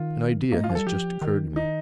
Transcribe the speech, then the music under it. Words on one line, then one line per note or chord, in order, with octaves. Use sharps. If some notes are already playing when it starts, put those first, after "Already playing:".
"An idea has just occurred to me."
Already playing: D#3 F4
A#3 D#4
A3
F4
F3
G3 A4
F3 G4
D#3
D#4